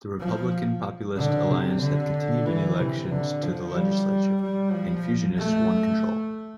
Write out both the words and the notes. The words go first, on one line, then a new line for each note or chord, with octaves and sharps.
The Republican-Populist alliance had continued in elections to the legislature, and fusionists won control.
F3
D3
C3
D3
E3
C3
D3
F3
G3
G3
F3
A3